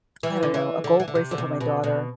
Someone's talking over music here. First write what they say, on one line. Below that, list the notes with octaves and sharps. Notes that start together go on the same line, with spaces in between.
I don't know, a gold bracelet for my daughter,
E3
D3
E3
D3
E3
D3
C3
D3
C3
B2
B2